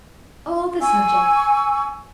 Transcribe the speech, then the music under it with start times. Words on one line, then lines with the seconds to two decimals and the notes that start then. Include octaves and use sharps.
Oh, the subject!
0.81 G#5 C#6 E6